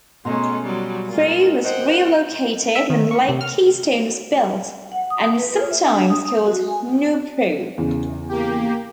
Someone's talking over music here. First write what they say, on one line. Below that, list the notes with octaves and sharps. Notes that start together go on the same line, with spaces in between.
Prue was relocated when Lake Keystone was built, and is sometimes called "New Prue".
B2 G#3 A3 C#4 A#5 C6
F#3 G3
A#2 G#3 F4
C5 D#5 F#5 G5
E5
D#3
C#6
C3
F6
F#5
D#6
B4
F4
E5
D4
D#6
F#4
G#5
E2 C#3
A#3 G4